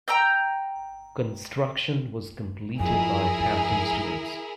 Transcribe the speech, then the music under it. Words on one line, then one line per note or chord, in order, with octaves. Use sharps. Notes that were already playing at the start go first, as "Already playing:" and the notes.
Construction was completed by Hampton students.
G5 A#5 E6 G6
F2 E4 G#4 A#4 G#5